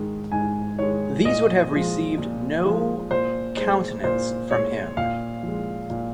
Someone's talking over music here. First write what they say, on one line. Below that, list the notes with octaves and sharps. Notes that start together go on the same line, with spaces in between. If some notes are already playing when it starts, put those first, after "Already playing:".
These would have received no countenance from him.
Already playing: G#2 D#3 G#3
G#2 G#5
D#3 G#3 C#5
A#2 D#5
F3 G#3
A#2
F3 G#3
A#2 C5
G#3 C5
A#2 C5
G#3 C#5
A#2 F5
F3 G#3
A#2